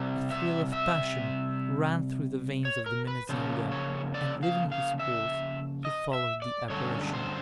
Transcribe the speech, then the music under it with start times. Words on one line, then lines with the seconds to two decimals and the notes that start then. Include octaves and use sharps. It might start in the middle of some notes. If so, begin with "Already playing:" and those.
A thrill of passion ran through the veins of the minnesinger; and, leaving his horse, he followed the apparition.
Already playing: C3 G3
0.31 E5
0.73 E5
2.65 C#5
2.86 A#4
3.07 B4
3.29 C#3 F3 A#3 C#4 C5
3.71 C#5
4.14 D5
4.43 F5
4.72 F5
4.99 E5
5.85 D#5
6.13 E5
6.42 D5
6.70 G2 D3 F#3 A3 C#4 C#5
7.13 C5